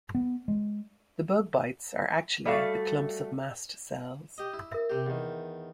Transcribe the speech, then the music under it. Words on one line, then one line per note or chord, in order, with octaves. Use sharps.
The bug bites are actually the clumps of mast cells.
B3
G#3
G3 A3 F#4 A4 F5
G4 D#5
E4
A#4 E5
C3 G4
E2 D#3